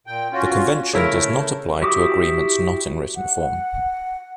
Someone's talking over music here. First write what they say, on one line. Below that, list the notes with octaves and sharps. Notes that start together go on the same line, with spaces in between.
The Convention does not apply to agreements not in written form.
A#2 G5
C#4 F4 F#4
C#3 A3 E4 A#4
E4 F#4 G4 D6 D#6
F#5